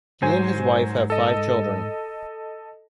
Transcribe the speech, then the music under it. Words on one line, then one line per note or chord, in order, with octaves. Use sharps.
He and his wife have five children.
G#2 F#3 C5 G#5
A4 D#5